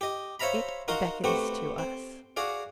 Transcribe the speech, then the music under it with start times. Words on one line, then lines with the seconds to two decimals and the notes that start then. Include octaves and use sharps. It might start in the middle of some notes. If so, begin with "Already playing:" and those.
It beckons to us.
0.01 G4 D#5
0.40 C5 C#5 E5 F5 A#5 B5
0.88 D#4 F#4 A#4 F5 C6
1.24 A3 B3 C4 F#4 G4
1.78 C4
2.37 F#4 G#4 D5 F5